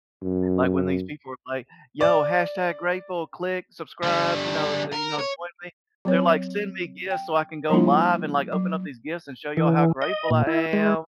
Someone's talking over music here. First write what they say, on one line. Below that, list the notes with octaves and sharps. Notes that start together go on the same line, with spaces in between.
like, when these people are like, "Yo, hashtag grateful. Click, subscribe!" You know, eh, you know, "Join me," they're like, "Send me gifts so I can go live and, like, open up these gifts and show y'all how grateful I am!"
F#2
D5
D3 G3
A#4
C#5
F#3 C4 C#5
G5
F3 G3 A#3 D4 E4 F4
F#3
E3
D#5
A#2
E4
G#3